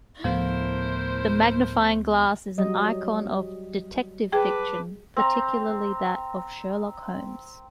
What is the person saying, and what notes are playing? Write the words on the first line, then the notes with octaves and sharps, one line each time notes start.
The magnifying glass is an icon of detective fiction, particularly that of Sherlock Holmes.
D2 A2 F3 A3 B3 E4 A#4 C5
F#3 G3 D#5
G#4 B4 G5 A5 D6
C4 A#5